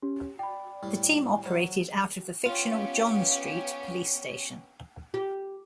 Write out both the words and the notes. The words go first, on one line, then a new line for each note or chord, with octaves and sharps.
The team operated out of the fictional John Street police station.
C#4 G4
D5 G5 B5
A2 G3
F#3 C5
B3 C#4 F4 G4 C#5 F5
G4